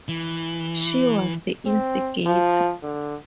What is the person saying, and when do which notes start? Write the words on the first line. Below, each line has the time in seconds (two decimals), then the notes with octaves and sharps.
She was the instigator.
0.08 E3
1.66 C4
2.26 F3
2.83 D3